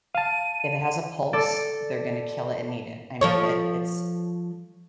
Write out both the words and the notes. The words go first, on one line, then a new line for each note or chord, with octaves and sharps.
"If it has a pulse, they're gonna kill it and eat it." I mean, it it's
F5 A5 D#7
A4 D5
F3 A4 C#5